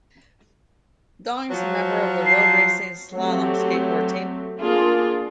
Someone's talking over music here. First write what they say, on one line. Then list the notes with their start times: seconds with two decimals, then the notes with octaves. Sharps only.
Dong is a member of the RoeRacing Slalom Skateboard Team.
1.51 F3 F#3
2.26 C7
2.37 C7
3.13 F#3 A3 C4 G4
4.60 A#3 D4 F4 G#4 A#4